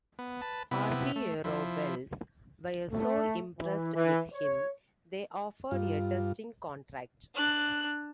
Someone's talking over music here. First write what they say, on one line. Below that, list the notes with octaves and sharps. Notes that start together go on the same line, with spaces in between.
Arciero-Wells were so impressed with him, they offered a testing contract.
B3
B4 A5
C3 B3 E4
A3
F3 E4
A3
E3
E3
C#5
G2 F4
D4 F#6